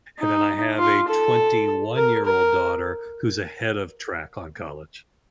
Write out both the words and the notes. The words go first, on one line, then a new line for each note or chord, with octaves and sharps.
and then I have a twenty-one-year-old daughter who's ahead of track on college.
D#4
F4
A4
A#4
A#4